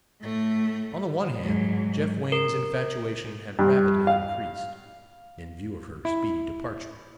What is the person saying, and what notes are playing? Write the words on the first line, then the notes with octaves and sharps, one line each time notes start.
On the one hand, Jeff Wain's infatuation had rapidly increased, in view of her speedy departure.
A2 A3
G#2 F#3
A#4
G2
F5
E4